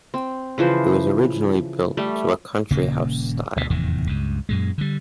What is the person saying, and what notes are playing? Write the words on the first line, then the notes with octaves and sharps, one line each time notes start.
It was originally built to a country house style.
C4
C#3 E3 F3 C5
G3 A3
D#1 C#3 A#3
D2 B2
F1 E2 A2 D#3
C#2 G2
F#2 A#2 G#3
D3 G3